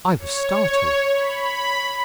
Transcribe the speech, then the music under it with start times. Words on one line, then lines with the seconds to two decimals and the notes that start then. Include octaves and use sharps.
I was startled.
0.19 C#5
1.13 B5